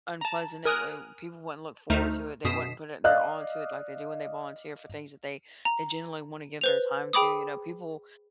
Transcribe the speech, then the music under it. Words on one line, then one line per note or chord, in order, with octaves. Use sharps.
unpleasant, it w people wouldn't look forward to it, they wouldn't put it their all into it like they do when they volunteer for things that they they generally wanna give their time to, you know, people
A5 A#5
A#4 G#5 D#6 F6 F#6
D2 A3 D#4 C5 F6
F#2 B2 D#6 B6 C7 E7
D5 D#5 F5 F#6
A#5
B4 C5 F7
G#4 G5 B5 D6 D#6